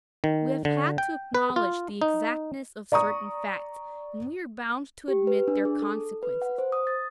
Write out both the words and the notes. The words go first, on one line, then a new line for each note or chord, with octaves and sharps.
We have had to acknowledge the exactness of certain facts, and we are bound to admit their consequences.
D#3
D3
G5
B4
F4
D#4
D5 A#5 C#6 D#6
G4
B4
D4
G#4
A4
B4
F#5
C5
D#6
A6